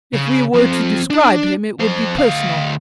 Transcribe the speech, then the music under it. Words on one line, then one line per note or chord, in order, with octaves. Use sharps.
If we were to describe him it would be personal.
C#3
F3 C4
D4 D5
F2 C5
D2 F5